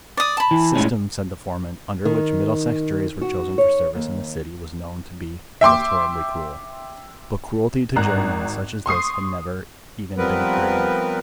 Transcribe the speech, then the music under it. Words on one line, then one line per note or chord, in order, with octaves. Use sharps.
The system, said the foreman, under which Middlesex juries were chosen for service in the City was known to be most horribly cruel;--but cruelty to jurymen such as this had never even been heard of.
D5 D#6
A5 B5
E3
A2 G#3 C#4
D#3
F#4
C#5
D#2
E5 G5 C6 D6
G#1 A#5 F#6
C6 C#6 D#6 C7
F3 G3 B3 C4 A#4 B4